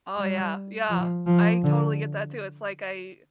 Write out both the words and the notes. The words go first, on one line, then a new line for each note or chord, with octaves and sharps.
Oh, yeah, yeah, I totally get that, too, it's like, I
G3
F3
F3
D3